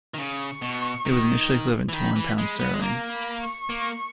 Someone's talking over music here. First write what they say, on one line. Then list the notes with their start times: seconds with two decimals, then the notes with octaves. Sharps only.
It was initially equivalent to one pound sterling.
0.14 D#3
0.18 C#3 C#6
0.62 B2
1.06 D#3
1.89 E3
1.93 D#3 B5
2.16 E3
2.38 G#3 B5
2.60 B3
2.74 G#3
2.81 A#3 A#5
3.11 B5
3.41 C#6
3.70 A#3